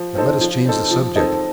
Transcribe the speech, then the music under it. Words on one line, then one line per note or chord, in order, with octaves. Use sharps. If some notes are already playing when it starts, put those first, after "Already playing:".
But let us change the subject.
Already playing: F3
C4 D#4 A4 C5
F3
C4 D#4 A4 C5
F3
C4 D#4 A4 D#5